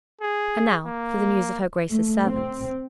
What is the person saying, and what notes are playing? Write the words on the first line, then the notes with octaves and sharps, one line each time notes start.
"And now for the news of her Grace's servants."
G#4
A#3
A3
C4